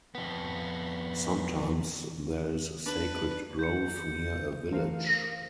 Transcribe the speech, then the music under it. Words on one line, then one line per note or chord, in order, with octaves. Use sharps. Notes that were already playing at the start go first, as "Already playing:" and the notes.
Sometimes there is a sacred grove near a village.
F2 B3
D4 B4
G6 C#7
E3 A3 A#4 C5 F5